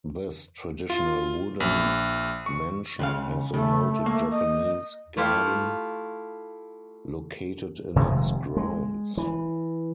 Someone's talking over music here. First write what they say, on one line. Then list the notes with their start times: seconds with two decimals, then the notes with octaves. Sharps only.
This traditional wooden mansion has a noted Japanese garden located in its grounds.
0.90 F4
1.60 A#1
2.46 C#6
2.99 C#2 C#3 F5
3.54 C#3 A3
4.06 A#3
4.31 D#5
5.17 A3 E4 F4 G4
7.96 F1 C3 D#3 G#3
8.57 G#3
9.17 E3